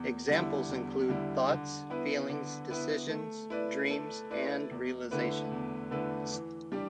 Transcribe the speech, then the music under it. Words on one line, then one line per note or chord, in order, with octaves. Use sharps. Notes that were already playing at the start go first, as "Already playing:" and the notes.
Examples include thoughts, feelings, decisions, dreams, and realizations.
Already playing: E2
D3 G3 E4
E2
D3 G3 E4
D3
B3 E4 B4
D3
B3 E4 B4
A3
E4 B4 D5
A3
E4 B4 D5
E2
D3 A3 E4 B4
E2
D3 A3 E4 B4
E3
G3 D4 G4 D5